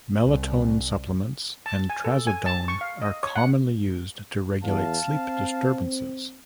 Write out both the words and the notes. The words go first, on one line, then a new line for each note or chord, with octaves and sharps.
Melatonin supplements and trazodone are commonly used to regulate sleep disturbances.
C2
A5
G#5
A4
G#5
A5
C#6
F5
D#5
C#5
F#5
E2 F5 A5
C4